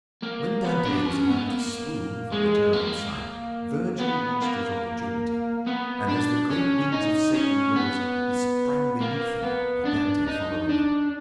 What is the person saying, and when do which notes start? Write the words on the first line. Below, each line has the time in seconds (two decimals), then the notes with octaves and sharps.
When Dante was about to swoon from the terrible sight, Vergil watched his opportunity, and as the great wings of Satan rose he sprang beneath them, with Dante following him.
0.22 A#3
0.64 B3
0.85 D4
1.06 C#4
1.27 B3
1.48 A#3
2.32 G#3
2.73 A#3
3.99 B3
4.41 A#3
5.67 B3
6.08 D4
6.50 C#4
6.92 D#4
7.34 C#4
7.76 B3
9.01 A#3
9.43 B3
9.85 D4
10.27 D#4
10.69 D4